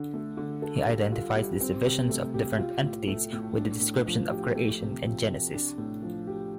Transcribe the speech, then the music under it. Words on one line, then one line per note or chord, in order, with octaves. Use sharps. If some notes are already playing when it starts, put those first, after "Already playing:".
He identifies these divisions of different entities with the description of creation in Genesis.
Already playing: D3 D4
A3
D3
A4
G3
F4
G3
C4
C3
A3
G4
F4
A2
A3
A2
D4
A2
F3
G4
A3
C3
F3
C3
D4
A2
F3
G4